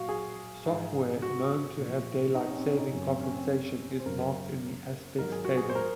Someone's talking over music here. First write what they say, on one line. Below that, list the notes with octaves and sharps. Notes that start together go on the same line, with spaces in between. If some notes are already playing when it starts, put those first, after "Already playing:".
Software known to have daylight-saving compensation is marked in the Aspects table.
Already playing: A#2 F#3 F#4 F5
G#4
G#2 F3
F#4
A#2 F3
D#4
C#4
C4
C#4
D#4
F#2 C#3 F#3 C#4
C4
C#4
C4
C5
F#2 C#3 F#3 A#4
G#2 D#3 F#3 A#4
G#4
F#4
G#4
C5
A#4